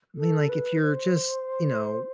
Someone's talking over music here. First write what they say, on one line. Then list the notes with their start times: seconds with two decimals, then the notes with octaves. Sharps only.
I mean, like, if you're just, you know,
0.16 A4
0.48 B4
0.81 C5